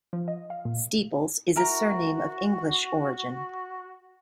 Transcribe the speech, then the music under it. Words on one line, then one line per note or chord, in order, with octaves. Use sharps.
Steeples is a surname of English origin.
F3
D#5
F5
A#2
E4 F#4 A#4 A#5